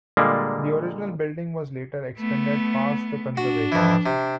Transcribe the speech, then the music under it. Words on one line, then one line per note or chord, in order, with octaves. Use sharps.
The original building was later extended past the conservatories.
A#2 D3 G3 G#3 A#3
A3 B3
D4 F#4
F2 E3
C3